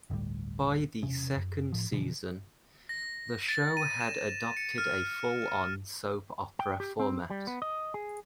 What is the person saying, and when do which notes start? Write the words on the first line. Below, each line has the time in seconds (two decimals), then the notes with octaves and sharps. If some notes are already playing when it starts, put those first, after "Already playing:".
By the second season, the show had adopted a full-on soap opera format.
0.10 G1 D2 A2 G3
1.03 E1 C3 C#4
1.36 F#2
1.72 A2 F3
1.92 B2 D3 E3 F3
2.89 A#6
3.49 A6
3.77 D#7
4.01 E7
4.57 C#7
4.78 F6
6.59 G5
6.80 G4
6.99 C4
7.30 G3
7.47 B3
7.62 D#5
7.94 G#4